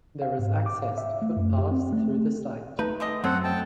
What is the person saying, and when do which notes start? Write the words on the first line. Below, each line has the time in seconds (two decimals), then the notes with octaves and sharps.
There is access to footpaths through the site.
0.22 F5
0.39 G#2
0.66 D6
0.82 F5
0.98 E5
1.22 A3
1.36 F#2
1.58 G4
1.71 C4
1.93 A3
2.79 A3 D#4 B4
3.00 D3 G#3 D#5
3.24 F#2 F#3 C4 A4 C5 F#5
3.44 G5 A5